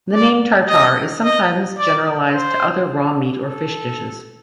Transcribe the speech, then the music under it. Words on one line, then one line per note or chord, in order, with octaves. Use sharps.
The name tartare is sometimes generalized to other raw meat or fish dishes.
D5
D#5
D#5
D5
C5
A4